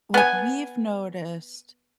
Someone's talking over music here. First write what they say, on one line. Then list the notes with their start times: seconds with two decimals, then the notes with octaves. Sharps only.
what we've noticed
0.14 B3 G#5